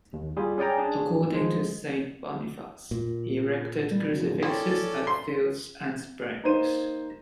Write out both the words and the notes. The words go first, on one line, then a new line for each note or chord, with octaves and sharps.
According to Saint Boniface, he erected crucifixes at fields and springs.
D#2
G3 F4 G#4
C#4 G#4 D5 G5 A#5
D4 G#4
F3 G#3
A#2
G3
C4 C#4 E4 A4 D5
C6
A#3 D#4 C5 D#7